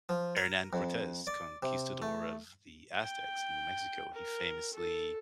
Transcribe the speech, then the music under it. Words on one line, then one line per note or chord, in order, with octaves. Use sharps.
Hernan Cortez, conquistador of the Aztecs in Mexico, he famously
F3
A#4
F2
D5
C3
A3
G5
A#4
A4